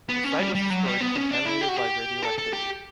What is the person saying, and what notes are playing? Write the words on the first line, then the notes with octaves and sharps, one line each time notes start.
The site was destroyed and contaminated by radioactivity.
B3
C#4
G3
G3
F#3
G3
B3
C#4
D4
E4
G4
F#4
G4
A4
A4
G4